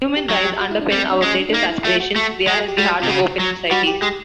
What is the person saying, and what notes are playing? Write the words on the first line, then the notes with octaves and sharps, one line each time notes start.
Human rights underpin our greatest aspirations: they're at the heart of open societies.
G4
F#3 F#4
G4
F#4
E4
D4
G3 C4
D4
G#3 C#4
D4
D4
A#3 D#4
E4
A3 F4
F#4
A3
G#3
G4
G3 F#4
C3 F4
C#3 F#4
F#3
G3 F#4
G4
G#3 G4